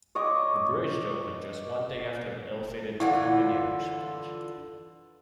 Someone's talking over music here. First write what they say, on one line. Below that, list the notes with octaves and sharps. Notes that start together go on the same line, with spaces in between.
The bridge opened just one day after the ill-fated Tacoma Narrows Bridge.
C#5 D#5 C#6 D6
D3 E3 E4 F4 F#5